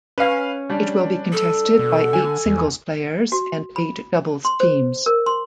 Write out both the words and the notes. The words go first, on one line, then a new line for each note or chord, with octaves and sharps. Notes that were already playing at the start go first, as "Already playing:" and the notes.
It will be contested by eight singles players and eight doubles teams.
C#4 B4 F5
G3 D4
A4
B2
D3 G#5
E2
F#4
B5
C6
C5
A#4
C6